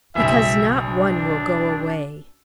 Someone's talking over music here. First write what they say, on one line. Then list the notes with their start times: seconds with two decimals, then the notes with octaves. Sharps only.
"Because not one will go away."
0.15 F#1 B1 E5
0.84 D4